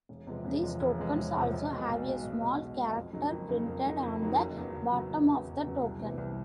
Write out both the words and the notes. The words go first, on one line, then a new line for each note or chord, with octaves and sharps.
These tokens also have a small character printed on the bottom of the token.
E1
E2 C3 F3 G#3
E1
E2 C3 F3 G#3
E1
E2 C3 F3 G#3
E1
E2 C3 F3 G#3
B1
B2 G#3
B1
B2 G#3
B1
B2 G#3
B1
B2 G#3
F2
C#3 F#3 A#3 D#4
F2
C#3 F#3 A#3 D#4
F2
C#3 F#3 A#3 D#4
F2
C#3 F#3 A#3 D#4
F#1
E2 C#3 F#3
F#1
E2 C#3 F#3
F#1
E2 C#3 F#3
F#1
E2 C#3 F#3
C2
C3 E3 G3 B3
C2